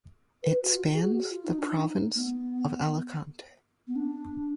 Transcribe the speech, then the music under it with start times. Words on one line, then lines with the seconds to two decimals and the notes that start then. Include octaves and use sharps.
It spans the province of Alicante.
0.43 B4
0.63 F#4
0.72 F4
0.94 G#4
1.02 F#4
1.30 F4
1.44 D#4
1.58 D4
1.71 D#4
2.15 A#3
2.19 B3
3.87 B3
3.96 D4